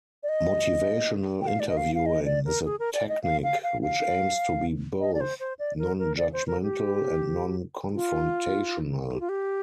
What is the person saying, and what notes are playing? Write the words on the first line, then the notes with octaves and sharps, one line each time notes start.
Motivational interviewing is a technique which aims to be both non-judgmental and non-confrontational.
D5
D#5
G5
F5
D5
D#5
F5
F5
D#5
D5
A#4
G#4
A#4
D5
D#5
F5
F5
F5
F5
D#5
D5
C5
C5
D5
A#4
A#4
D5
C5
A#4
G4
F4
G4
F4
G4